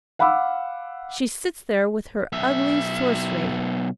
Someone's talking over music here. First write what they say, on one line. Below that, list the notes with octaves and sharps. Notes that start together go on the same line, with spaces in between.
She sits there with her ugly sorcery.
F5 F#5 B5 D6 E6
B1 E5